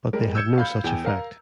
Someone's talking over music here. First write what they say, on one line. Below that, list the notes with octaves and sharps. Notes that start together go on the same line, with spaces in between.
But they have no such effect.
G3 G#3 A#4
E6 G6 G#6 C#7 E7
F5 B5 G6
E2 G5
A#4 F5 A#5